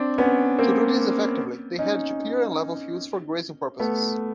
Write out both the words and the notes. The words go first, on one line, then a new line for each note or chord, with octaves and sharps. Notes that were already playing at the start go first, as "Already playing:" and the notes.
To do this effectively, they had to clear and level fields for grazing purposes.
Already playing: C4 D4
B3 C#4
A#3 C4
C#4 D#4
A3 B3